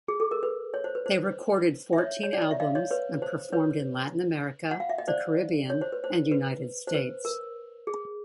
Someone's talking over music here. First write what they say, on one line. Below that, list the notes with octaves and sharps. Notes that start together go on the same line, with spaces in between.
They recorded fourteen albums and performed in Latin America, the Caribbean and United States.
G#4
A4
A#4
B4
C#5
C5
B4
C5
E5
C#5 D#5
C#5
D5
D#5
E5
D#5 F5
C#5 D#5
B4 C#5
C5
B4 C#5
F#5
F5
E5
D#5
C5 D5
C#5
C5
B4
C5
B4
C5
B4
A#4
G#4